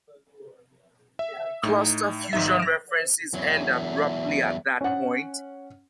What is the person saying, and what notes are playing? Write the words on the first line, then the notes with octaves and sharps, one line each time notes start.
Cluster fusion references end abruptly at that point.
E5
A2 D#4
G#1 G#2 D#4 E5
A#6 D7
E2 F#3
C#4 F#5